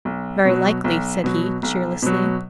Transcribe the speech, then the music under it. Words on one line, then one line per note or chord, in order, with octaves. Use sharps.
"Very likely," said he cheerlessly.
B1
B2 F#3
B1
B2 F#3
B1
B2 F#3